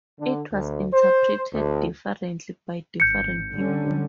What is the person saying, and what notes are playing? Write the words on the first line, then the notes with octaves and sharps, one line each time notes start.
It was interpreted differently by different people.
D3
D2
C5
D2
G#1 G6 C#7
D3 G3 C#4